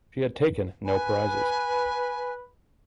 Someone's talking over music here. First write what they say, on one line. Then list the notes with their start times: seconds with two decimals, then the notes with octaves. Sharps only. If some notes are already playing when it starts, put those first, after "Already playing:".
She had taken no prizes.
0.86 B4 G#5